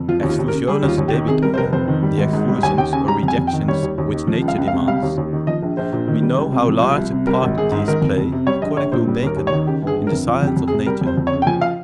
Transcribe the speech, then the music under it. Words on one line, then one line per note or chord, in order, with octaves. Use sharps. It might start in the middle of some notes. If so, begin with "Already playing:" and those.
Exclusiones debitae--the exclusions, or rejections, which nature demands--we know how large a part these play, according to Bacon, in the science of nature.
Already playing: F2
F3 F4
D#2
F4
D#2
A#4
C#3
G3 G#4
D#2
F4
D#2
G4
D#3
C3 G#4
G3 A#4
C5
F1 A#4
F2 C5
D#3
G3
G#1
G#2
G3
D#2 G#5
D#2 G5
C#3 G#5
G3 A#5
F2
G#5
F2
G5
D#3
G3 C#5
D#2
D#2
D#3
F3
C#2
F5
C#2
F5
C3
G3 F5
D#2
D#2
D#3
F3 D#5
A#1
A#1 C5
A#2
D#3
G3
C#2
C3
F3
C2
C2
C3
G3 A#4
G#1
G#1 G#4
G#2
D#3 A#4
F2
F2
C3
G3 C#5
A#1 D#5
A#1 C#5
A#2 C5
G3
D#2 A#4
D#2
C#5
D#3
C#3 G4
G1 G#4
G1
A#4
F2
F3
F2 G4
F2
G#4
C3
G3 A#4
F2
C5
F2
C#5
C#3
G5
F3 G#5
F5